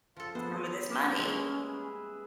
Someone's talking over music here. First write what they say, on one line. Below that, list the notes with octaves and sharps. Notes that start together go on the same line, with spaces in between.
some of this money
F3 F4 A4
F3 B3 G#4 B4 C5 E5
G3 G#3 A#3 C#4